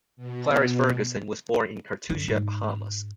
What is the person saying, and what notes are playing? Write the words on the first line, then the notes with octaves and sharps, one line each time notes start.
Clarice Ferguson was born in Cartusia, Bahamas.
B2
F#2 D3
G#2